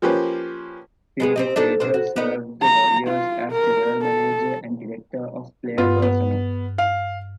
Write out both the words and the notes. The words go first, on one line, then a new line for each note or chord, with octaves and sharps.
Feerick later served the Warriors as general manager and director of player personnel.
F3 A#3 C#4 G4 B4 C5
G#3 B3 G#4
C4 G4 D#5
D4 D#4 A4
B2 D4 C5
F#4
B3 D#4
A#5
F4
A#4
A4
G2 B3 F4
B3
F5